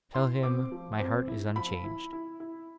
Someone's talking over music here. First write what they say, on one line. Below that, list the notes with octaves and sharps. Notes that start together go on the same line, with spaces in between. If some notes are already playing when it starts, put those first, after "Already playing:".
Tell him, my heart is unchanged.
E4 C6
C4 D6
F3
C4
E4
F3 B5
E4
E4
E4